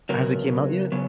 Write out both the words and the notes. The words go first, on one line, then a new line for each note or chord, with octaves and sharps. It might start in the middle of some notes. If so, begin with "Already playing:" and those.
Has it came out yet?
C#3 F#3 B3 A#4
C#3 F#3 B3